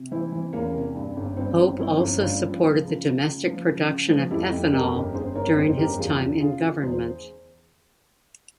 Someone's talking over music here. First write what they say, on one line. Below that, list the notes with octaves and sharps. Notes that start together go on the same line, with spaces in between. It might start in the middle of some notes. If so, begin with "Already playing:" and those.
Hope also supported the domestic production of ethanol during his time in government.
Already playing: C3
E3 C4 E4
E3
E2 A#3 C#4
C3
G2
G1
G2 C4
G1
F3 C4 E4
G1
G2 C#4 F4
F3
F3
C#2
C#2
C#3
F3
C#3
C#2
F3
F2 E4 G4
F2
F2 G4 A#4
G1
G1 G#4 C5
G1 A#4 C#5
C#5
F2 G#4 C5
G1 G4 A#4
E2 F4 G#4
C#3
C#3 F4 G#4
C#3
E2 G#4 C5